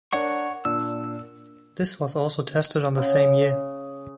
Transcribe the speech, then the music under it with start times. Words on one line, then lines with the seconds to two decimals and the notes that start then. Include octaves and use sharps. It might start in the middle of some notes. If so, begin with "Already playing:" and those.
This was also tested on the same year.
0.13 D4 A#4 C#5 D5 F#5 C#6
0.65 A#2 D4 E6
2.97 C#3